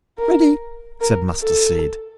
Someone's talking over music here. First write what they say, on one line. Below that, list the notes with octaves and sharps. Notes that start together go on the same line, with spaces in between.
"Ready," said Mustardseed.
A#4
A#4
A4